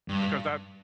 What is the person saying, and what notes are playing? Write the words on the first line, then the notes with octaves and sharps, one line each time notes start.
because that
G2